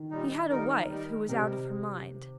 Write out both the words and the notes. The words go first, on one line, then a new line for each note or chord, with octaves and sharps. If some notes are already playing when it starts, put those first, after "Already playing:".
He had a wife who was out of her mind.
Already playing: D#3
A#2 G3 D#4
D#3 G3 D#4 A#4
G3 D#4 A#4
C3 G3 D#4 A#4